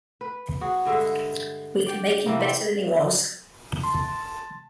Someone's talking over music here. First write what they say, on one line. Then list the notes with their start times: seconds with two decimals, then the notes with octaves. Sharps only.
We can make him better than he was.
0.21 B4
0.61 F#4 G#4
0.85 G2 D3 G#3 E5
1.86 D5 G5
2.26 C3 E3 G3 A#3
2.40 C4 G4
3.84 A5 C6